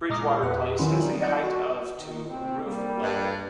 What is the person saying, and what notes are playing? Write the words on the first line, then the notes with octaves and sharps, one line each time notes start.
Bridgewater Place has a height of to roof level.
A#2 G#3 A#5 D6 D#6 F6
E2 A#2 B4 F#5
D#3 F3 F#3 C#4 E4 F4
G3 C4 D#4
D5 D#5 F#5 G6
F#4
D#3
A2 C3 C4
G3 A#3
G2